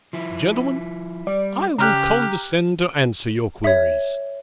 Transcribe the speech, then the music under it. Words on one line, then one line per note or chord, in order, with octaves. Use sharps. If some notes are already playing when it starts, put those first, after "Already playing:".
Gentlemen, I will condescend to answer your queries.
F3 E4
G3 D5
C#3 G4 A#5 F6 F#6
C#5 E5